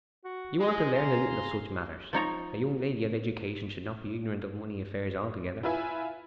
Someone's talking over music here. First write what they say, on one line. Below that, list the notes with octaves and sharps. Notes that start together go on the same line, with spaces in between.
You ought to learn a little of such matters. A young lady of education should not be ignorant of money affairs altogether.
F#4
G#3 G#4 D#5
F5 A#5 C6
F3 D#4 C#5 A#5
E4 F4 B4 E5 G#5